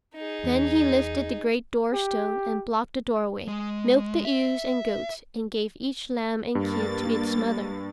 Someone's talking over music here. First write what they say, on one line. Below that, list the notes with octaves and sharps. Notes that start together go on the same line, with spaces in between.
Then he lifted the great doorstone and blocked the doorway, milked the ewes and goats, and gave each lamb and kid to its mother.
D#4 G#4
E2
G4
G#3
E5
G2 A#3 A6